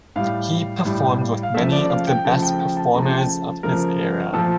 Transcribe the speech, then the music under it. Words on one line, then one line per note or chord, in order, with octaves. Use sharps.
He performed with many of the best performers of his era.
A2 G3 F5
A2 G3
F5
C#3 F3 A3 E5
D5
F5
G5
C#3 F3 A3 A5
G5
G5
A5
C#3 F3 A3 A#5
A5
G5
A5
C#3 F3 A3 A#4
A#2 F3 A3 A4